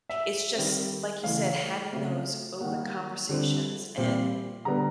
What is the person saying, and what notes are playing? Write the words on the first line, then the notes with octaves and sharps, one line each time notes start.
it's just, like you said, having those open conversations and
E5
D#3 G3 C4
C#3 E3 A3 F5
C#3 F#3 A3 C4
D#3 G3 A#3 F#5
D3 G3 C4
A#2 G3 C4
D3 G3 B3 A#5